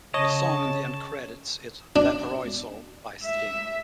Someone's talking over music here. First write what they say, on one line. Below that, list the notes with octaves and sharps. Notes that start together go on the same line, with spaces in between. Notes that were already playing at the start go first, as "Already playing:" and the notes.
The song in the end credits is "Valparaiso" by Sting.
C#3 C#5 D#5 A5
D4
E5